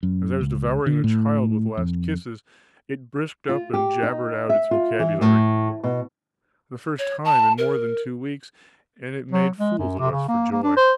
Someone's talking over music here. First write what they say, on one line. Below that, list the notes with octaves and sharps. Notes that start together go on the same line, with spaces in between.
As I was devouring the child with last kisses, it brisked up and jabbered out its vocabulary! --the first time in more than two weeks, and it made fools of us for joy.
F#2
C#2
D3
A2
F2
F4
G4
D#4
E5
F4
E3
A2
B2
C#5
A5
A#4
F#3
G#3
F#2
C3
C#3
A#3
A#3
D4
C5